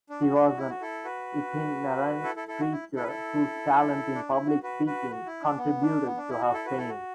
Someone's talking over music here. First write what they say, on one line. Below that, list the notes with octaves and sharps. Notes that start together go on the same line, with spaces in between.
She was an itinerant preacher whose talent in public speaking contributed to her fame.
D4
F#4
D4
F#4
E4
F#4
E4 A4
F#4 B4
E4 A4
E4 A4
E4 A4
F#4
E4
E4 A4
B4
E4 A4
D4
E4
F#4
F#4 B4
F#4 B4
F#4
E4
D4
B3
D4
B3
D4
E4
F#4
E4 A4
F#4 B4
E4 A4
F#4